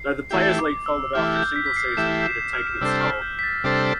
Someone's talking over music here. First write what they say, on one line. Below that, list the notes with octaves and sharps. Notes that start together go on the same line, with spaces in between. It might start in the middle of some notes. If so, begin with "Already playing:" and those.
Though the Players' League folded after a single season, it had taken its toll.
Already playing: C7
E3 A3 E4 G4
D6
E6
E3 A3 E4 G4 F6
G6
B6
B6
C7
E3 A3 E4 G4 E7
E7
F6
C3 G3 D4 A4 C5 E6
F6
G6
B6
A6
C3 G3 D4 A4 C5